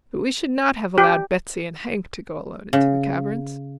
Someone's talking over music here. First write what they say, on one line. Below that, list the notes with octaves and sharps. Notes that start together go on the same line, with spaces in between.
But we should not have allowed Betsy and Hank to go alone into the caverns.
G4
C#3